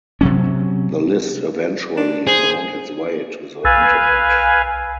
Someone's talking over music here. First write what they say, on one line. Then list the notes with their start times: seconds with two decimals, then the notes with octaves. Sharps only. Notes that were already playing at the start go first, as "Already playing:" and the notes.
The list eventually found its way to the Internet.
0.21 C3 F#3 C#4
1.97 D4
2.27 G#4 C5
3.65 B1 B4 F5 G#5 E6 A6